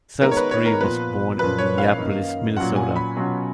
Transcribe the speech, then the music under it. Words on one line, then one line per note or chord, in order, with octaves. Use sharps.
Salisbury was born in Minneapolis, Minnesota.
D#3 G#3 B3 D#4 A#4
C#5
B4
C#5
A#4
A#2 F3 B3 F4 B4
A#2 F3 A#3 C#4 F4 B4
C#5
F5
F#2 D#3 A#3 D#4
A#2 F#3 C#4 F4 F#5
G#5
B5
B2 F#3 C#4 F4